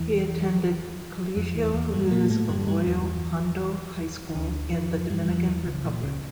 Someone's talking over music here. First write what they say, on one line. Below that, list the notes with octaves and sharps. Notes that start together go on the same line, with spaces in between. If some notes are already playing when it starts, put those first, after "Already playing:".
He attended Colegio Luz Arroyo Hondo High School in the Dominican Republic.
Already playing: E2 E3
F2 F3
E2 E3
E2 E3
G2 G3
A#2 A#3
A2 A3
G2 G3
G2 G3
E2 E3
D2 D3
F2 F3
G2 G3
G3
F2 F3
E2 E3
C#2 C#3
A#2
C#2 C#3